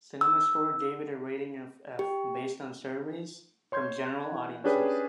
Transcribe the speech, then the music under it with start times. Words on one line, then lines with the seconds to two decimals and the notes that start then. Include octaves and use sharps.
CinemaScore gave it a rating of "F" based on surveys from general audiences.
0.21 E6
1.99 G4
3.72 C#5 C6 G6 G#6
4.06 F#6
4.32 E3
4.64 C#4 D4 G4 G#4 B4 C#5